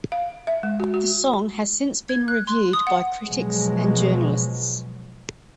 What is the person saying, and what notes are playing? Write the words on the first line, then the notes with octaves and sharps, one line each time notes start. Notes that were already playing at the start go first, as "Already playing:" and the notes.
The song has since been reviewed by critics and journalists.
F5
E5
G#3
F#4
F#4
G#6
F#6
C6
D#6
F#5
B2 F3 F#3 G#3